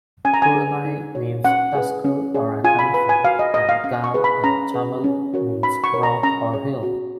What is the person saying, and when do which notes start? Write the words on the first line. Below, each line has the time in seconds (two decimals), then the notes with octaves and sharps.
"Kurunai" means tusker or an Elephant and "gal" in Tamil means rock or hill.
0.25 C#4 G#5
0.34 A#5
0.42 G#5
0.55 G#4 B4
0.85 D#4
1.15 F#4 C#5
1.45 C#4 F#5
1.75 G#4 B4
2.05 C#4
2.34 G#4 C#5
2.64 F4 G#5
2.79 B5
2.94 B4 B5
3.09 G#5
3.24 F#4 F5
3.39 D#5
3.54 B4 D#5
3.69 F5
3.84 C#4 F5
4.04 C#6
4.14 G#4 B4
4.24 B5
4.44 C#4 A#5
4.74 G#4 B4
5.04 C#4
5.34 F#4 A#4 C#5
5.63 D#4 B5
5.84 C#6
5.93 A#4 C#5
6.03 A#5
6.23 C#4 A#5
6.53 G#4 C#5
6.83 F#4